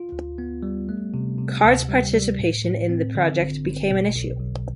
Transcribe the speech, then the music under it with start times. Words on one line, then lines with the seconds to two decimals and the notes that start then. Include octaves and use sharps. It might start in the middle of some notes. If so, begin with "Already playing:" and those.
Card's participation in the project became an issue.
Already playing: F4
0.12 D2
0.38 B3
0.63 G3
0.89 A3
1.14 C3
1.38 C3
1.64 D2
1.88 G3
2.14 G3
2.39 A2
2.65 A2
2.89 C4
3.15 D3
3.40 G1
3.65 G1
3.90 B2
4.16 B1
4.41 B1